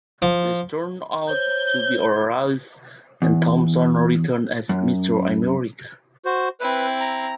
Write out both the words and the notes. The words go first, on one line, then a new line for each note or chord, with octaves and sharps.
This turned out to be a ruse, and Thompson returned as Mister America.
F3
C5 C#5 G6
E2
F#2
F#4 C5
C4 E4 B4
A#5